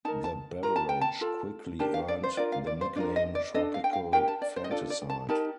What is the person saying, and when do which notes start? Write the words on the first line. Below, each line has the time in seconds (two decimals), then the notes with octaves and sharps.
The beverage quickly earned the nickname Tropical Fanticide.
0.05 D#4 A5
0.08 A#4
0.24 A5
0.63 F4 A#4 A#5
0.76 A5
0.89 G5
1.01 A5
1.21 F4 A4
1.79 D4 G4 A#4 A5
1.94 F5
2.08 D5
2.23 C5
2.37 D4 F4 A#4 D5
2.52 F5
2.67 D5
2.81 C5
2.96 D4 F4 A#4 D5
3.16 D#5
3.35 D5
3.54 D4 A4 D#5
3.74 F5
3.84 G5
3.93 F5
4.12 D4 G4 A#4 G5
4.28 A5
4.42 D5
4.56 C5
4.64 D#5
4.71 D4 F4 A4 D5
4.90 D5
5.10 A5
5.29 D#4 G4 A#4 A5